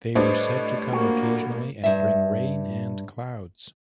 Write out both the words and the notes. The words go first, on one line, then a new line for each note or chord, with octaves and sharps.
They were said to come occasionally and bring rain and clouds.
A2 G3 D4 B4 C5 D#5
A#3 F#4
G2 E5